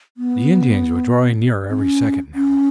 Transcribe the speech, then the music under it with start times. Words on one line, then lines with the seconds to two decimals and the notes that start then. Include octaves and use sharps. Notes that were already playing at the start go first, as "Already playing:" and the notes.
The Indians were drawing nearer every second now.
0.17 B3
1.70 C4
1.80 C#4
2.35 C#4